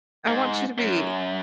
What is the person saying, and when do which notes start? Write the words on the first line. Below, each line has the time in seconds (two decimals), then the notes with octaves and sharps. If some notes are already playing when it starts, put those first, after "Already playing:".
I want you to be,
0.27 G#2
0.78 F#2